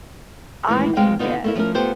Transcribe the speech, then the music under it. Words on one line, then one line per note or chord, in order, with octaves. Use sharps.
I can get
A2 D#3 E3 G#3
D2 C3 G#3 F5 G5
D#2 D3 B3 C4 D#4 F4
A3 A#3 E4
F3 C#4 A#4
B3 F4 G4 A4 C5